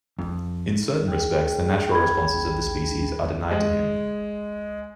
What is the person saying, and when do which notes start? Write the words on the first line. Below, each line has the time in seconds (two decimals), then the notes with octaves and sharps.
In certain respects the natural responses of the species are denied to him.
0.19 F2
1.07 G#4 G5
1.92 B5 G#6
3.51 G#3